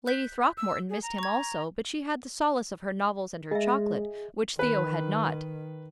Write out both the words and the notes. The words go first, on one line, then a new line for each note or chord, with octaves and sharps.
Lady Throckmorton missed him also, but she had the solace of her novels and her chocolate, which Theo had not.
F#6 G6 B6
E6
G#4
A#5
C#6 G#6
G#3 G#4 D#5 E5
D#3 B4